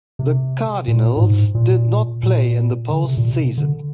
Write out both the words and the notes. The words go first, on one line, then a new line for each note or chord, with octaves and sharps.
The Cardinals did not play in the post season.
C3
A#2
A#2
G#2
A#2
A#2
D3
C3
A#2
C3
D3